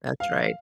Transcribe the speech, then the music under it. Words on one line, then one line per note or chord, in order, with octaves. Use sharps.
That's right.
F5